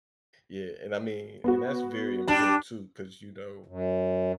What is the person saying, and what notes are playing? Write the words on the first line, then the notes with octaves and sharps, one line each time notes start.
yeah, and I mean and that's very important too 'cause, you know,
B3 F#4
G3 D4 A5
F#2